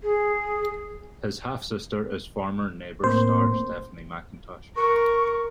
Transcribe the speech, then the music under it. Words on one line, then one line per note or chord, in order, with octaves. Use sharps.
His half-sister is former "Neighbours" star Stephanie McIntosh.
G#4
A2 A#3 C4 C5
A#4 C#6